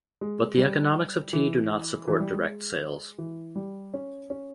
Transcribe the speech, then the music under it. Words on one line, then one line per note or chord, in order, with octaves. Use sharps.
But the economics of tea do not support direct sales.
G#3
G3
E3
E3
G3
G#3
E3
G3
C#4
C#4